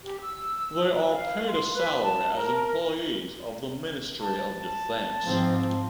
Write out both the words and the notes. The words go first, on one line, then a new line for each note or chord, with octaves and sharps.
They are paid a salary as employees of the Ministry of Defense.
G4
E6
F5
C6
B4
A5
A#4
A5
G#2 F3 C4